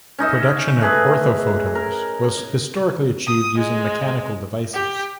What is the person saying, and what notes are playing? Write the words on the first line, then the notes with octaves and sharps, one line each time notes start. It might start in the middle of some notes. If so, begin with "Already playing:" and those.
Production of orthophotos was historically achieved using mechanical devices.
C#4 D#4 D#5 E5
A3 G#4 B4
A#4
D#6
G#3
G4